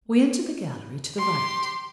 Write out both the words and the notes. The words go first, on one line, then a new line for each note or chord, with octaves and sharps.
We entered the gallery to the right.
G4 C6